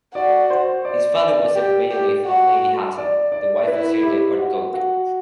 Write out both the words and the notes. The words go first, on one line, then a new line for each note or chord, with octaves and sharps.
His father was a bailiff of Lady Hatton, the wife of Sir Edward Coke.
F#4 D5
C5
D5
D5
G4
G4
F#4
D5
D5
E4 B4
G4
F#4
F#4